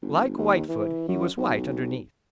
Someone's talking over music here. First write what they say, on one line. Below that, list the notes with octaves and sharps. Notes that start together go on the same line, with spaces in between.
Like Whitefoot he was white underneath.
G1
D#2
E3
F#2
B1